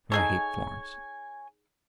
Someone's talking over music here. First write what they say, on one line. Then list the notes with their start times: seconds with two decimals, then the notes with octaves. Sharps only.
For I hate Florence.
0.12 D#4 G#4 A4 C#5 G#5